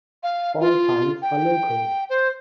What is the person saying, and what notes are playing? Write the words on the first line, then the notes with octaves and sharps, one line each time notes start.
All times are local.
F5
F4
G5
C5